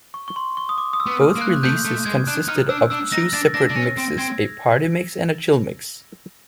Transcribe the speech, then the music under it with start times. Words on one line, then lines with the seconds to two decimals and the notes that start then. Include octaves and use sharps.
Both releases consisted of two separate mixes, a party mix and a chill mix.
0.14 C#6
0.28 C#6
0.36 C6
0.57 C#6
0.69 D#6
0.78 D6
0.93 D#6
1.00 E6
1.06 B3
1.21 F6
1.35 A#3
1.42 F#6
1.63 A3 G6
1.85 A3
2.05 G#3 G#6
2.27 D4 F#6
2.48 D#4 F6
2.69 D4 E6
2.90 D4 E6
3.12 D#4 A#6
3.33 D4 A6
3.54 D4 A#6
3.69 D4
3.76 C#4 A#6
3.97 C4
4.18 C4 G#6